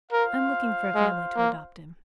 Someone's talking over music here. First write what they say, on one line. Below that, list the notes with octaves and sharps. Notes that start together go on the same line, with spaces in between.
I am looking for a family to adopt him.
F4 A#4 C5 F5
G#3
A#3